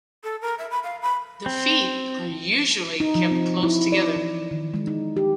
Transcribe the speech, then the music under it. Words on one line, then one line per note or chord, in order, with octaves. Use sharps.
The feet are usually kept close together.
A4
A#4
E5
B5
F5
B5
C4
D#4
F3
C4
E4
D5
E3
D#3
G#3
D#4
G4